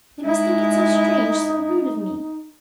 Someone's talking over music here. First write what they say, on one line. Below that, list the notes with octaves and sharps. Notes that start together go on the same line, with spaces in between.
They must think it so strange, so rude of me!
G#3 D#4 E4